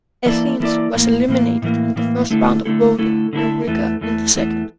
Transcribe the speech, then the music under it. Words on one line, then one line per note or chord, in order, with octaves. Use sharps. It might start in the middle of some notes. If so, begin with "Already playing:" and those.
Athens was eliminated in the first round of voting and Riga in the second.
E3 A#3 E4 A4 D5
E3 A#3 E4 A4 D5
A2 E3 A#3
A2 E3 A#3
A2 E3 A#3
A2 E3 A#3
D3 A3 E4 A4
D3 A3 E4 A4
D3 A3 E4 A4
D3 A3 E4 A4
E2 E3 A3
E2 E3 A3
E2 E3 A3